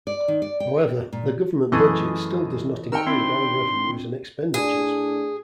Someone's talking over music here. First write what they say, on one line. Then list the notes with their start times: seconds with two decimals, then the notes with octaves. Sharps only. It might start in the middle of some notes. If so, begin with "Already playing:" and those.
However, the government budget still does not include all revenues and expenditures.
0.07 D5
0.28 D#3
0.42 D5
0.60 G5
1.13 A#2
1.72 F#2 E3 A3 G#4 D#5
2.92 D#3 A#4 G5 E6 F6 C#7
3.07 C4 D4 E4 C6
4.54 A2 D4 G#4